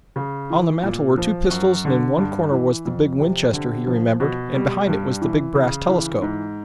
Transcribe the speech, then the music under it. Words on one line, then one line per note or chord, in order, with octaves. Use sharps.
On the mantel were two pistols and in one corner was the big Winchester he remembered and behind it was the big brass telescope.
C#3
E3
A#2
F3
F#2
D3
G2
E3
F2
C3
D3
F3
B2
G3
G2
E3
C#3
E3
G#2